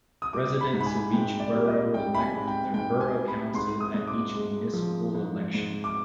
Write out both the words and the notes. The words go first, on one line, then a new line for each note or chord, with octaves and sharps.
Residents of each borough elect their Borough Council at each municipal election.
D#6
G3 D6
B5
G#2
B5
G#5
G#2 G5
D5
G3
D#5
G3 G5
B5
G#5
G#2
G5
G#2 G5
G#5
G3
B5
G#2 C6
D#6
G#2
D6
G#3
F3
G#2
G#2
D6